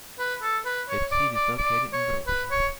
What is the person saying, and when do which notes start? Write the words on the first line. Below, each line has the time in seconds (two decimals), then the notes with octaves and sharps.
Its seat is located in Broby.
0.19 B4
0.42 A4
0.65 B4
0.89 C#5
1.11 D5
1.35 D5
1.58 D5
1.93 C#5
2.27 B4
2.51 C#5